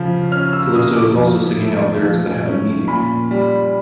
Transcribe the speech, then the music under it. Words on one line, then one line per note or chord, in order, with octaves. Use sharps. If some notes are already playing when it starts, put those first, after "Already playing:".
Calypso is also singing out lyrics that have a meaning.
Already playing: C#3 F3
C#4 F6
E6
A#3 D#6
D6
F3
A3
F3
C#4
A#2 B5
G3